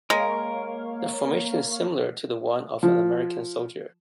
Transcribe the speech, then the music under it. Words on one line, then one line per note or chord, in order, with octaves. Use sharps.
The formation is similar to the one of an American soldier.
G#3 A#3 A#4 C#5 F5
F3